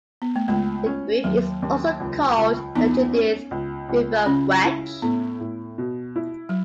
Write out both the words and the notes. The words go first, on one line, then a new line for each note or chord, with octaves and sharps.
The group is also called the Judith River Wedge.
B3
A3
C#2 G#3
C#4
D#2 F#3
D#2
C#2
C#2
E2 B3 D#4
C#4
C#2
C#2
C#3 C#4
E4
A2 B3
A2
B2
E4
F#3